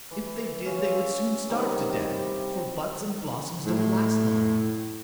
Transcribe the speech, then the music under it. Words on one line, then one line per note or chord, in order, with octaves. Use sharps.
If they did they would soon starve to death, for buds and blossoms don't last long.
E3
C#4 F4
E5
C3 D#3 G3
E4
G4 C5
A2